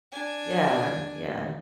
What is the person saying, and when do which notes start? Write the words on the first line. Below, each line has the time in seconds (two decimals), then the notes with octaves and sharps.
Yeah. Yeah.
0.12 D4 G#5